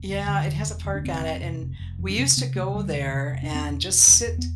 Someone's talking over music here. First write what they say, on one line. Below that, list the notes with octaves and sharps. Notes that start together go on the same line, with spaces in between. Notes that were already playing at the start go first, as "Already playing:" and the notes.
yeah, it has a park on it and we used to go there, and just sit
Already playing: E1
D2
D3
E1
E1
D2
D4
F1 C4
F2
C3
F1
F1
F2
D4
C3 C4
C3 B3
D2 A3
D2 G3
C3
C3
E1
D4
E2 C4
B2 D4
E1
E1
E2
B3